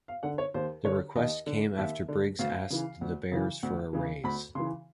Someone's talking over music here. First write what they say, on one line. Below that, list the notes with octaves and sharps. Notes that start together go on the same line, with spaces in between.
The request came after Briggs asked the Bears for a raise.
F5
D3 F#5
C#5
D#2 C5
D3 C#5
D#2 D#5
D3
D#2 E5
D3
D2 F5
C#3 E3
D2
C#3 E3
D2
C#3 E3
D2 B5
C#3 E3 C6